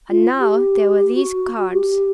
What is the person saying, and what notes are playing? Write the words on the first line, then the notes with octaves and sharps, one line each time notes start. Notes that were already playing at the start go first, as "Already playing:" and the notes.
And now there were these cards.
F4
G4
F#4
G4